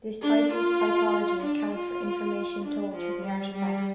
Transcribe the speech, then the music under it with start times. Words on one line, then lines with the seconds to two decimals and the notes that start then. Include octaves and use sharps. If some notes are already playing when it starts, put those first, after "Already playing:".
This type of typology accounts for information told through the artifact.
0.22 D4
0.52 F4
1.42 D4
1.74 F4
2.64 D4
2.94 F3
3.24 G3
3.54 G3